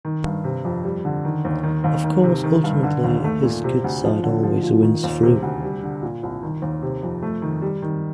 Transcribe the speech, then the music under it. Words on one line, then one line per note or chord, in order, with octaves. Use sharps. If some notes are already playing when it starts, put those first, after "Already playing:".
Of course, ultimately, his good side always wins through.
D#3
G2
C3
F2
G3
D3
D#3
D#2
D#3
D#2
D#3
C3
D#3
G2
D3
D#2
A3
A#2
C3
D2
F3
D3
F3
A#2
D#3
D#2
C3
D2
G3
D3
A#2
C2
D#3
D#2
C3
F2
A3
D#3
G3
D#3